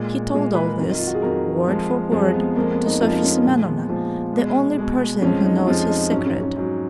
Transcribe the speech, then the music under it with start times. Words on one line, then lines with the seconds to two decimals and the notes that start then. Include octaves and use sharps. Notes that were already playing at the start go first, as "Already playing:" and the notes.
He told all this, word for word, to Sofya Semyonovna, the only person who knows his secret.
Already playing: A#2 G#3
0.34 A#2 G#3 G#4
0.55 B4
0.63 A#4
0.78 F2 D#3 F#3
0.91 D#4
0.98 F4
1.07 F#4
1.14 G#4
1.22 F2 D#3 F#3 A#4
1.67 F2 F3 G#3
2.11 F2 F3 G#3 G#4
2.34 B3
2.56 F2 F3 G#3 A#3
2.71 B3
2.86 D#4
3.00 F2 F3 G#3 F4
3.12 D#4
3.22 C#4
3.45 A#2 F3 G#3
3.67 B3
3.89 A#2 F3 G#3 B3
4.33 B2 G#3 B3
4.78 B2 G#3
5.22 F2 F3 G#3 C#4
5.45 D#4
5.67 F2 F3 G#3 F4
5.89 D#4
6.12 G#2 F#3 C#4
6.26 C#4
6.42 C#4
6.56 G#2 F#3